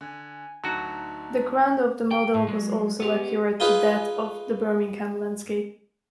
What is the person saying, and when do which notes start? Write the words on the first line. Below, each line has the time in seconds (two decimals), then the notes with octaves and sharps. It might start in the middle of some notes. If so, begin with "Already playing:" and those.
The ground of the model was also accurate to that of the Birmingham landscape.
0.01 D3 G#5
0.64 D2 D3 F#3 D#4 F#4 A5 C#6
2.11 G5
2.34 A2
2.48 F#3 G#3
3.00 B3 G4
3.60 D#4 F4 G#4 B4